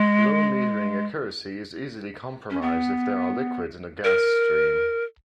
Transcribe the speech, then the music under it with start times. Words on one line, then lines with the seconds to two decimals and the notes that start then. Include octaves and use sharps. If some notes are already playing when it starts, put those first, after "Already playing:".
Flow metering accuracy is easily compromised if there are liquids in the gas stream.
Already playing: G#3
2.50 C#4
2.62 B3
4.04 A#4